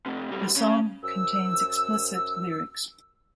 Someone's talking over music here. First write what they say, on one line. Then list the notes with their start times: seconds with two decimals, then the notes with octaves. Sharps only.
The song contains explicit lyrics.
0.06 F2 C3
0.31 B1 G3
0.56 C#3
1.03 F#2 C5 E6